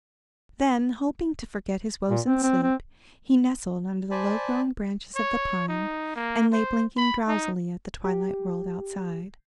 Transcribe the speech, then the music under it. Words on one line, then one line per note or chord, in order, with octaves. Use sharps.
Then, hoping to forget his woes in sleep, he nestled under the low-growing branches of the pine, and lay blinking drowsily at the twilight world outside.
A#2
C4
C4
C4
C5 D5 G#5 A5 B5
C#5
D#4
A#3
C5
B5
D#4
G4